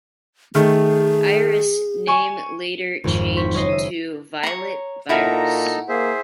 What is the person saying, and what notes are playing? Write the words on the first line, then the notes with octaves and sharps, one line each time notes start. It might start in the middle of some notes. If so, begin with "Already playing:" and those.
Iris' name later changed to Violet Virus.
D#3 A3 G#4
G#5 C#6
G#1 F2
C4 C#6 B6
F#1 C#4 C#5 D#5 C7
E5 D#7
C#5 A#5
A#2 D#4 E4 F#4 A4 A#4 A#5
A#3 G#4 C5 E5